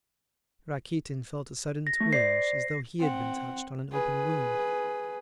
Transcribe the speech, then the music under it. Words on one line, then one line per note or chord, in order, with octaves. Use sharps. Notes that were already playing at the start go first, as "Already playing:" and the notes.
Rakitin felt a sudden twinge as though he had been touched on an open wound.
A#6
A3
C5 D5 C7
C4 F#5
G#4 B4